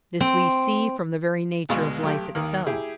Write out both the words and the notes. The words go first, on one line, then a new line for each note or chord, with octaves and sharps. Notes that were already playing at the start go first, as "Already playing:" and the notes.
This we see from the very nature of life itself.
C4
D2 B2 G#3 F5 C#6
B1 A3 G4
D#2 D#3
E4 G4 G#4